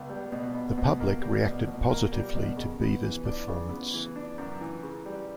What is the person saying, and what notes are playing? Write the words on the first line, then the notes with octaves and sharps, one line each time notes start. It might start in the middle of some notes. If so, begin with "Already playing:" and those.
The public reacted positively to Beavers' performance.
Already playing: C#2 B3
G3
B2
B3
B2
A#3
G3
B2
B2
A#3
G3
B2
C#3
B3
E3
D4
C#3
B3
E3
D4
F#2
E3
C#3
G3